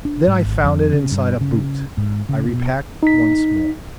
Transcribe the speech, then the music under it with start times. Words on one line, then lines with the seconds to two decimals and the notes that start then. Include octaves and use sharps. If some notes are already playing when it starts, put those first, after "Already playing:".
Then I found it inside a boot. I repacked once more.
0.05 D4
0.27 G#2
0.45 G#1
0.64 F2
0.93 C#3
1.12 G2
1.41 C#3
1.97 G#2
2.29 C#3
2.49 B2
3.03 D#4 B6